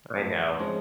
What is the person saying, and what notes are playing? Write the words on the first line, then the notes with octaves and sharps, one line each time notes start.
I know.
A2
F3 G#3 C#4